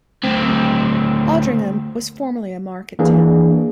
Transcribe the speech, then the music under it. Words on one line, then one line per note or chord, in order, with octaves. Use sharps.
Aldringham was formerly a market town.
D2 C4
E3 A#3 D4 G#4